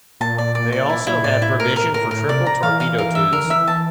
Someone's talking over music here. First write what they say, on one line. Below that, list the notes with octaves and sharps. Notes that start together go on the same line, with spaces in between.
They also had provision for triple torpedo tubes.
A#2 A5
D5
D5
D5
A#2 E4
A#2 E4
A2 D5
E4
A#4
A#4
A2 A#4
A#4
C3 D5
A#5
E3 F5
F5
A#4
E5
D3 A#4
E3
E5
E3
A5